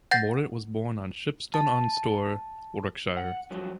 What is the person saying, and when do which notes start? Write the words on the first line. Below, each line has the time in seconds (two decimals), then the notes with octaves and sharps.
Morant was born in Shipston-on-Stour, Warwickshire.
0.11 F#5 G6 A6 A#6
1.54 A5
3.17 F#5
3.51 G2 F3 F#3